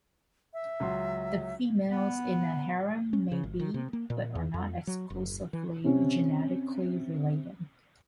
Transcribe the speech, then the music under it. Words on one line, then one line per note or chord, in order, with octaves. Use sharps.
The females in a harem may be, but are not exclusively, genetically related.
E5
C#2 F#3 C6
B3
C#4
C#3
G#1
D#3
C3
A#3
A#2
E2
F2
F#3
F#1
E3
C3 C#4